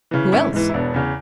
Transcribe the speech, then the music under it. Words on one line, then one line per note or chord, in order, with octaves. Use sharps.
"Who else?"
C#3 E3
G#1 C#4 E4
G#2 E3
E4
E1 B3 D4
E2 C#3